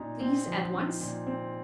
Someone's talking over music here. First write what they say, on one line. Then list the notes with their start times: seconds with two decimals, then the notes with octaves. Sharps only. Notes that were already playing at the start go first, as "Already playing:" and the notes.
Please, at once?'
Already playing: A#2 D#4 A#5
0.20 C4
0.47 F3
0.73 D#4
1.00 A#2
1.27 C4